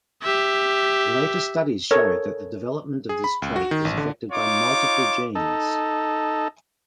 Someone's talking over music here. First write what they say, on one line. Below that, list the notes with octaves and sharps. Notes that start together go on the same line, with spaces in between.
Later studies showed that the development of this trait is affected by multiple genes.
G4 E5
A4 A#4 C#5
G#4
B5
C#2
F#4
D#3
A1
D3
D#4 F4 C#5 D6
D#4 A4